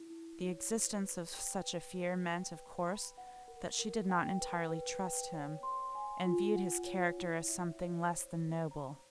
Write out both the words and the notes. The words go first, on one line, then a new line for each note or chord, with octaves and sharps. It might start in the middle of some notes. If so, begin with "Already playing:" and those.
The existence of such a fear meant, of course, that she did not entirely trust him, and viewed his character as something less than noble.
Already playing: E4
E4
C#5
B4
B4
G5
B4
B4
G5
B4
B5
F#5
A#4
A#4
G5
B4
B4
G5
C#5
C6
G#5
F4
F#5
C#5
E4
E5
C#5
C5
C5
A#5